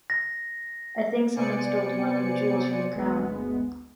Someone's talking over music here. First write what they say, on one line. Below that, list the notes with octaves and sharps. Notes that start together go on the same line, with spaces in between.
I think someone stole one of the jewels from the crown.
A#6
C3 B3 C5 D5 G#5 C#7
G1 D2 G#3 B3